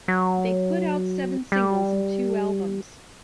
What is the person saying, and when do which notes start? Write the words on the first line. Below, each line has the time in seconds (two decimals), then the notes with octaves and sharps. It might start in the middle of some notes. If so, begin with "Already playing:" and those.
They put out seven singles and two albums.
0.08 F#3
1.52 G3